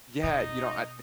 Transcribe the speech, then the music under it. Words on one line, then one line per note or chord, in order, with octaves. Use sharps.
Yeah, you know, I
B2 D#4